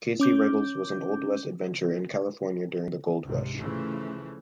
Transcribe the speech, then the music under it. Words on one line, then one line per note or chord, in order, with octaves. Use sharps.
Casey Ruggles was an Old West adventurer in California during the Gold Rush.
C#4 D6 G6
C#2 G#2 C3
C#3 E3 F3 A3